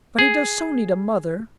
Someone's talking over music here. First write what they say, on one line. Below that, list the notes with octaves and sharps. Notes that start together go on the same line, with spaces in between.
"But he does so need a mother."
G#4